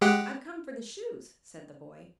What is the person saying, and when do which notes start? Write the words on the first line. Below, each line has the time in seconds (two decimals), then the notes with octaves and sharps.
"I've come for the shoes," said the boy.
0.01 G#3 G4 F#5